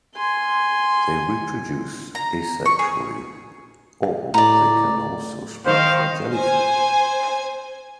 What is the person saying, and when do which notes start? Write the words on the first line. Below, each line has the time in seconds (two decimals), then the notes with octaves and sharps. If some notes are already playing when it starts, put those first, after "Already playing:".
They reproduce asexually or they can also sprout from jellyfish.
0.15 G#5 C6
2.15 A#5
2.66 C#6
2.79 G#4
4.34 A2 D5 A#5
5.66 D#3 C5 F5
6.32 C5 G#5